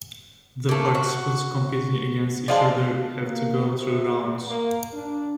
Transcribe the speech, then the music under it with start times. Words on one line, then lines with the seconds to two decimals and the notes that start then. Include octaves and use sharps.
The participants competing against each other have to go through rounds.
0.69 A3 A#3
0.95 F#4
2.48 F3 G#3 D4 D5 F5 C6
3.18 A#3
3.68 C3
4.04 E2
4.47 A#3
4.93 D4